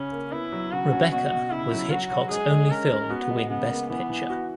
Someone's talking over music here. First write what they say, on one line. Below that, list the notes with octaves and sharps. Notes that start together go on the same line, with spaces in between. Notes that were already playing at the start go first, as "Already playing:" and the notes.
"Rebecca" was Hitchcock's only film to win Best Picture.
Already playing: C#3 C#4
A#3
B3 E4
F#3
C#3 F#4
C#4
B2 F#4
B2
C#3 E4
F#3
F#3 F#4
F#3
G#3 G#4
G#3
C#4 A#4
C#4
B3 F#4
G#3
C#3 B3
A#3
E3 B3
E3
F#4